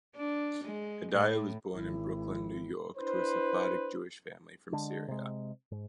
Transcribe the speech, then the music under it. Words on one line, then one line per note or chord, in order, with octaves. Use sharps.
Hedaya was born in Brooklyn, New York, to a Sephardic Jewish family from Syria.
D4
G#3
A2
G#1 E4
D4 E4 B4 C5
D3 G#3 D4
C3 G#3
G#2